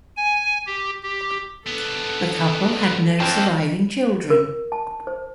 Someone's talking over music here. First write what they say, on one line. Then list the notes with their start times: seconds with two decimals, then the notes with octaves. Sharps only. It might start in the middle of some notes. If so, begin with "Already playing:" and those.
The couple had no surviving children.
0.17 G#5
0.67 G4
1.03 G4
1.67 B3 D4 A4
3.20 A#3 C4 C5 G5 A5
4.30 A#4
4.72 A5
5.07 C5